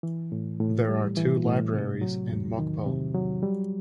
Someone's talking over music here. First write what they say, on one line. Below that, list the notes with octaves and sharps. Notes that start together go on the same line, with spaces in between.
There are two libraries in Mokpo.
E3
A2
A2
G3
E3
A2
C3
F#3
E2
D#3
C3
F#3
G3